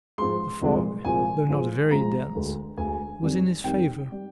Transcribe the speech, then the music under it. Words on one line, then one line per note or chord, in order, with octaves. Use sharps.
The fog, though not very dense, was in his favour.
G#2 F3 G#3 C6
C2 A#2 F3 G#3
C2 A#2 F3 G#3 G#5
G#2 F3 G#3
G#2 F3 G#3 A#5
D2 D3 G#3
D2 D3 G#3 G#5
F2 C3 D#3 G3
F2 C3 D#3 G3 G5
G3